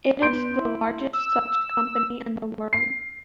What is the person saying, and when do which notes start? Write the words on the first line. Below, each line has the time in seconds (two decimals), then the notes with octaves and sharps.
It is the largest such company in the world.
0.22 B3 C6 G6 D7
0.62 E4
1.13 E6
2.73 C7